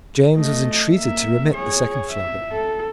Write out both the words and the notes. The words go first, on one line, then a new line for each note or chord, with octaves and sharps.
James was entreated to remit the second flogging.
A3 D#5
A#3 E5
G#4 C#5
E5
A4